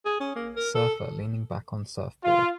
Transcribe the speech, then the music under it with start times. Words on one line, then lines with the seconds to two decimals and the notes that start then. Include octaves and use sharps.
Surfer leaning back on surfboard.
0.05 G#4
0.20 C#4
0.36 A#3
0.56 A#4
0.75 A4
2.24 F4